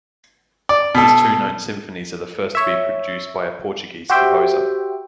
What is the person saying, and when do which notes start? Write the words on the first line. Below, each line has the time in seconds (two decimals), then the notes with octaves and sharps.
His two known symphonies are the first to be produced by a Portuguese composer.
0.69 D5
0.95 B2 A4
2.55 C#5 E5
4.10 F#4 G4 C5 E5 G5